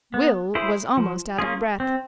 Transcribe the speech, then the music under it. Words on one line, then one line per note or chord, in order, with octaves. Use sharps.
Will was almost out of breath.
B3
E4 G#4 C5
F3
A#3 C#4 F4 G#4
C4